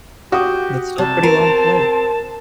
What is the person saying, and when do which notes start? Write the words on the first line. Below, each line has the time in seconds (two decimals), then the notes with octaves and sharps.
That's still a pretty long flight.
0.32 F#4 G4 D#6
0.98 C3 G3 A5
1.23 C4 A#4